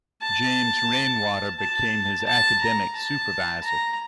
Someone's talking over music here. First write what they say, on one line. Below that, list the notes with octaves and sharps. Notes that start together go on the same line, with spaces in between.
James Rainwater became his academic supervisor.
A5
A5
A5
A#5
A5
A#5